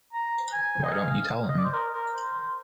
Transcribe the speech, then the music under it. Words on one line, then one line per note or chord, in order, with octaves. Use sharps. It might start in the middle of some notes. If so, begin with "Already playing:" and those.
Why don’t you tell him?
A#5
G#5
D#5
F5
D#5
D5
C5
A#4
A#4
C5
C5